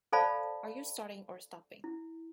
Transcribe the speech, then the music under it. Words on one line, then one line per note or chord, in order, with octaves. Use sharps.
Are you starting or stopping?
A4 C5 D5 F5 A5 B5
E4